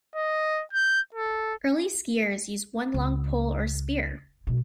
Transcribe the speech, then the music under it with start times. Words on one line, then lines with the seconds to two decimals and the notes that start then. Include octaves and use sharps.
Early skiers used one long pole or spear.
0.16 D#5
0.73 G6
1.14 A4
2.94 C#2
4.47 B2 G#3